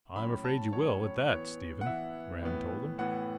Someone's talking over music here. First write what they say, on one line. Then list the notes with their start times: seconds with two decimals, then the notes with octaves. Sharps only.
"I'm afraid you will, at that, Stephen," Rand told him.
0.15 A2 F#3 C#4 B5
0.44 A5
0.73 A2 F#3 C#4 C#5
1.01 C#5
1.29 E3 B3 C#5
1.81 F#5
1.85 E3 B3 E5
2.42 A2 E3 B3
2.98 A2 E3 B3 F#5